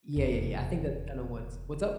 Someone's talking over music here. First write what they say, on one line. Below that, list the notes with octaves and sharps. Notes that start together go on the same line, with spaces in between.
yeah, yeah, yeah, I think that's kinda what's What's up?
F1 E2